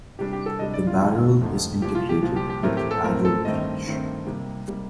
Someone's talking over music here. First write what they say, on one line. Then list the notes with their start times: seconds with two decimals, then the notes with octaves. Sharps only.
The barrel is integrated with the barrel breech.
0.19 C3 G3 D4 G4
0.33 G4
0.46 A4
0.59 C3 G3 D4 D#5
0.74 D5
0.87 F4
1.00 F2 D3 A3 D#4
1.41 F2 D3 A3 D#4
1.82 C2 A#2 F3 G4
1.95 F4
2.09 G4
2.22 C2 A#2 F3 F4
2.36 G4
2.49 G4
2.63 A2 A3 C4 A#4
2.77 G4
2.91 A4
3.04 A2 A3 C4 A#4
3.25 A4
3.45 G2 D#3 A3 C4 D#5
3.86 G2 D#3 A3 C4
4.27 C3 G3 A#3 D#4
4.67 C3 G3 A#3 D#4